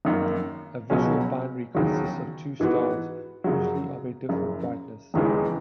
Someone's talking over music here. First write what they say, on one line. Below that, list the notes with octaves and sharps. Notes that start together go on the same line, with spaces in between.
A visual binary consists of two stars, usually of a different brightness.
G#1 F#2 D#3 A#3
C#2 B2 F#3 C#4
E1 D#2 C#3 F#3
G#2 E3 B3 F#4
F#2 C#3 F#3
F#1 F#2 C#3
E1 D#2 C#3 E3 G#3